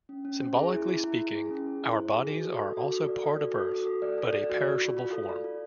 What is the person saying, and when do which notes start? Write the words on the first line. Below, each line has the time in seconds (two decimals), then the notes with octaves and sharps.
Symbolically speaking, our bodies are also part of earth, but a perishable form.
0.09 C#4
0.25 C#4
0.41 C5
0.56 G#4
0.72 E4
0.88 E4
1.04 E4
1.20 G#4
1.35 G#4
1.51 C#4
1.66 G#4
1.82 E4
1.98 C5
2.14 G#4
2.29 F#4
2.45 A4
2.61 A4
2.77 F#4
2.92 A4
3.08 D5
3.24 A4
3.39 F#4
3.55 A4
3.71 F#4
3.87 A4
4.02 D5
4.18 A4
4.34 D5
4.50 F#4
4.65 F#4
4.81 F4
4.97 F4
5.12 A4
5.28 D5
5.44 F4